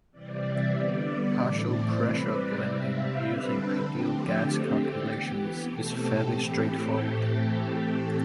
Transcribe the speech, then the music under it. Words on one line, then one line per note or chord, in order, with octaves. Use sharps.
Partial pressure blending using ideal gas calculations is fairly straightforward.
C3 E3 G3 C4 D5
E5
D3 G3 B3 D5
D5
A2 E3 A3 C4
C5
C3 G3 C4 B4
D5
C3 G3 C4 E5
F5
D3 G3 C4 B4
A4
D3 F3 A3 C4 G4
F4
D3 A3 C4 G4
G4
E3 B3 G4
B2 A3 C4 A4
G4
A2 E3 A3 C4 G4
A4